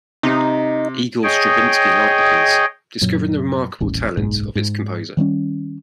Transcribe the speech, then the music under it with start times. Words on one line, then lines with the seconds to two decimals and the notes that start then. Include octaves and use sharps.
Igor Stravinsky liked the piece, discovering the "remarkable talent" of its composer.
0.23 C3 D#4
1.23 G#4 C#5 D#5 G5
3.01 F#2 A#2 F#3
3.80 D#1 A1
4.17 F#1 B1 G#2
4.55 G#2
5.17 D#3 G3 A3 C#4